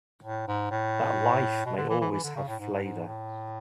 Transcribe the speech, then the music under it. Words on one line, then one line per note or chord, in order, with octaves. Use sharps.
That life may always have flavor.
A2
G#2
A2
B2
D3
E3
E3
E3
D3
C#3
A2
G#2
G#2
A2